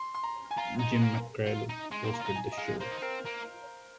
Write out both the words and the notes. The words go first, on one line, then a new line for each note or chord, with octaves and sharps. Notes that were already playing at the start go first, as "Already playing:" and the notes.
Jim McKrell hosted the show.
Already playing: C6
C6
A#5
G#5
F4 A#5
D#4
G#3
A#3
F4
D#4
G#3 C6
C4
A#3
A#5
F4
D#4
G#5
D#5
G#3 F5
A#3 C5
D#4
C4 A#4
A#3